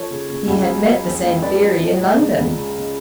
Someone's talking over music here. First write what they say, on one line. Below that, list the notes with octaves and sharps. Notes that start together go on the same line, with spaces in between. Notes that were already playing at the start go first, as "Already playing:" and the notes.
He had met the same theory in London.
Already playing: F3 A4 C#5
C#3
C#3
C#2
F#3
F#3
F2
F2
F3 B4 D5
F3
F3
G#2
C#3
C#2
C#3
C#3